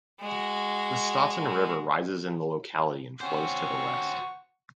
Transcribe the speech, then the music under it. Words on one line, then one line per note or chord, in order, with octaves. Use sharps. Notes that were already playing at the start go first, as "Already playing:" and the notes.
The "Staaten River" rises in the locality and flows to the west.
G#3 F#4
C4 C#4 F#4 C5 F#5 C#6